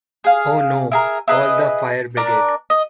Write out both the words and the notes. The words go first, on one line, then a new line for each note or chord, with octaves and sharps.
Oh no! Call the fire brigade!
G#4 F5
E4 G#4 A#4
E4 G#4 B4 D#5
D4 A#4 D5
D#5